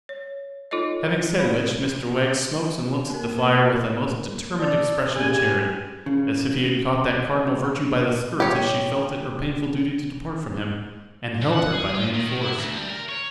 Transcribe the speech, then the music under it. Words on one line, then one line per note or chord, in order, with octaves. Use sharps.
Having said which, Mr Wegg smokes and looks at the fire with a most determined expression of Charity; as if he had caught that cardinal virtue by the skirts as she felt it her painful duty to depart from him, and held her by main force.
C#5
D#4 F4 A4 C#5 D#5
D5 F5 B5
A#3 A#4
D5 A5 E6 A6
C#4 G4 G#4 G#5
C#3
G4 C#5
F#2
F#5
G#4
F4
D#3
D#3
E4
D2
G3
A#4
C#5